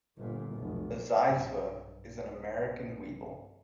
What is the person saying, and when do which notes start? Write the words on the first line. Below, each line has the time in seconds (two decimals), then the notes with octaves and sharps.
A zyzzyva is an American weevil.
0.17 G1 A#2
0.54 F1 B1
1.29 B1 G2